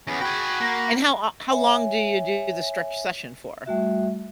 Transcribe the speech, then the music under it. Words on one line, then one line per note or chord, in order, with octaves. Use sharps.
And how o how long do you do the stretch session for?
E2 B3 C#4 C#6
F#4 G#4 F#5 G5 B5
A#3
C#5 E5 G#5
G3 A3 F#4 E5